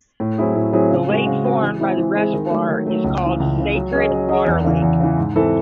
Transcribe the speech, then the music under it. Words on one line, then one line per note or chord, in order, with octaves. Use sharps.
The lake formed by the reservoir is called "Sacred Water Lake".
A2
F#3 C4 E4 G#4
A2
F#3 C4 E4 G#4
C#3
G#3 C4 F#4
C#3
G#3 C4 F#4
E3
G#3 C4 E4 G#4
E3
G#3 C4 E4 G#4
D#3
F#3 A3
D#3
F#3 A3
C#2
C#3 E3
C#2
C#3 E3
F#3
C#4 G#4 D#5
F#3
C#4 G#4 D#5
E2
C#3 E3
E2
C#3 E3
G#2
E3 C4 E4 A4